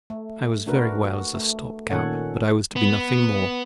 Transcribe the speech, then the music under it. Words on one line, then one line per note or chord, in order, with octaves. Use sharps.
I was very well as a stopgap, but I was to be nothing more.
A3
A3 D4 F#4 A#4 B4
F#4
A3
A#2 D#3 C#4 A4 C#5 F#5
B3